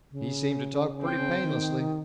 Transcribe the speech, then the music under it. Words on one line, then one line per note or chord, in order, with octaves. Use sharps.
He seemed to talk pretty painlessly.
C#3
C4 G5
D#3